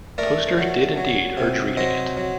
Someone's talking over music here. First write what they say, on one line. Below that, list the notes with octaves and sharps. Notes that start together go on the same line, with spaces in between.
Posters did indeed urge reading it.
A3 A#4 D5
F#3
F#3
C3
F#3 C5 D#5
F#3